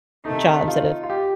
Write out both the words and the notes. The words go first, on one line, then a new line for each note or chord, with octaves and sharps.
jobs that have
C3 D#3 A3 D#4
F4
F4
G4